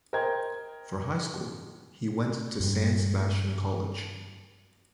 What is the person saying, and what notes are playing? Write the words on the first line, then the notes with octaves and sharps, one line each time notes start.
For high school, he went to San Sebastian College.
A#4 C5 D#5 G5 A#5 G#6
G2 G3